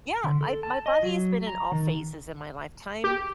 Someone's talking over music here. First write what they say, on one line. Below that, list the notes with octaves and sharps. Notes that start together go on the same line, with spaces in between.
Yeah! I my body has been in all phases in my lifetime,
D3
A4
A5
D#5
F#3
A#5
D#3
G4